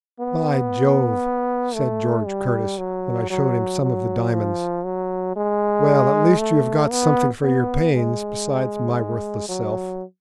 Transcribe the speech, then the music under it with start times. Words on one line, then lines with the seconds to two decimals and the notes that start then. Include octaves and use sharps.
"By Jove!" said George Curtis, when I showed him some of the diamonds: "well, at least you have got something for your pains, besides my worthless self."
0.20 B3
1.74 A3
2.26 G3
2.78 F#3
3.30 F#3
3.81 F#3
4.33 F3
4.85 F#3
5.36 G#3
6.39 A3
6.91 B3
7.42 B3
7.94 G#3
9.49 F#3